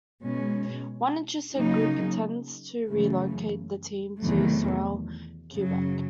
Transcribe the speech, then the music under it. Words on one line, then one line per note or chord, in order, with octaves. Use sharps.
One interested group intended to relocate the team to Sorel, Quebec.
B2 G#3 C#4
C#3 F#3 A#3 D#4
F#2 C#3 E3 A3
E2 C3 D#3 F#3 A3
F#2 C#3 F#3